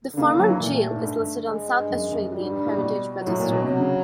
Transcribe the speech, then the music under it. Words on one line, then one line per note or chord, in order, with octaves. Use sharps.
The former jail is listed on South Australian Heritage Register.
D3
C#3 A#3
D3
F#3
E3
A#2 A3
G#2
G2
G#3
G2
F#2
F#2
G#2 G3
G2
G2
A2
B2
F#3
A2
A#2
B2
C3 F#3
C#3